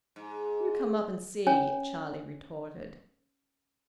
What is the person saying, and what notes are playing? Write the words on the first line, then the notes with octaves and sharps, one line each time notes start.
"You come up and see," Charlie retorted.
G#2
C#4 C#5 G#5